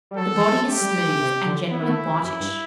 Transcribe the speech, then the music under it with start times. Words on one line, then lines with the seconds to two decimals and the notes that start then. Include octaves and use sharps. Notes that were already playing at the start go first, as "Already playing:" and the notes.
The body is smooth, and generally whitish.
0.11 G3
0.17 F#3 A4
0.34 E3
0.51 F#3
0.69 A3 G4
0.81 G3
0.94 G3
1.07 E3
1.20 C3
1.45 D3
1.71 B3 E4
1.81 B3
1.88 A3
2.05 C3
2.22 F#2 E4
2.40 G2